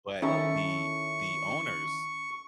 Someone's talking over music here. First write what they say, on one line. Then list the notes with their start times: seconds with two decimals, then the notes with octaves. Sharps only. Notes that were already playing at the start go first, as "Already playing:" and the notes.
but the the owners
0.22 D#3 C#4 E4 A4 C#6